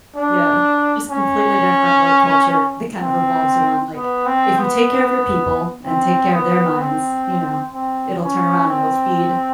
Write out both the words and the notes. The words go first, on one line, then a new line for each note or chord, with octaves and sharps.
yeah, just completely different work culture that kind of revolves around, like, if you take care of your people and take care of their minds, you know, it'll turn around and it'll feed
D4
C#4
C4
B3
C4
B3
C4
B3
C4
C4
C#4
C4